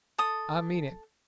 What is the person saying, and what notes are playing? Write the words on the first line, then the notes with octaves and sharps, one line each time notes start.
I mean it!
A4 D#6